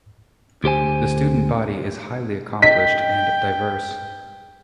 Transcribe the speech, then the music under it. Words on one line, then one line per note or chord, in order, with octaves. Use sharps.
The student body is highly accomplished and diverse.
D2 G4 C5 G#5
D#5 G5 B6